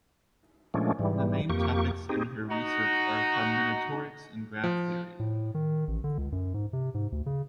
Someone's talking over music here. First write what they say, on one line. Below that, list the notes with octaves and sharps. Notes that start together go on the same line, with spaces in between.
The main topics in her research are combinatorics and graph theory.
A#2 F3 G#3 A3 C#4 D4
G#2 E3 G3
F2 A#3 G4 C#6
C4 D#4 G4 G#4
D#4 F#4
F3
A2
D#3
A1
D3
C#2
F#2
G#2
C3
G#2
D2
C#3